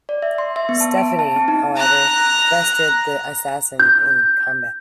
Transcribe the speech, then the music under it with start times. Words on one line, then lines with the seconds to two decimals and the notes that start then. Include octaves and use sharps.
Stephanie, however, bested the assassin in combat.
0.09 D5
0.22 E5
0.38 C6
0.56 E5
0.69 B3
0.81 A5
0.97 D7
1.19 A5
1.36 C4
1.48 D#4
1.76 A#5 F#6
3.80 G6